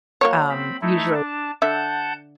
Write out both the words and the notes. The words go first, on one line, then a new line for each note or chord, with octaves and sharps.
um, usually
F#3 A#3 C#5
C4 B5
A3 D#4 E4
D4 A5
D3 E5 F#5 A5 G6